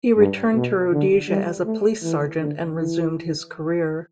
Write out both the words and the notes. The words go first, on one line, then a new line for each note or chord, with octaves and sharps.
He returned to Rhodesia as a police sergeant, and resumed his career.
G2
B2
D3
G3
A3
E3
D3
E3